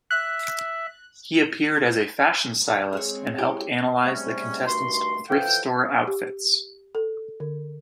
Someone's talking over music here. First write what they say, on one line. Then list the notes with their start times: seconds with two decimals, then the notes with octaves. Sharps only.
He appeared as a fashion stylist and helped analyze the contestants' thrift store outfits.
0.11 E5 F#6
2.60 D2
2.93 G#3 C4 G#4 C#5
3.38 E4 G4
4.03 G#2 C3 G3 A3 C#4
4.67 G2 D#3 A3 F#4 C6
5.29 E3 F3 A4 F5 G5
6.07 G4
6.95 A4
7.40 D3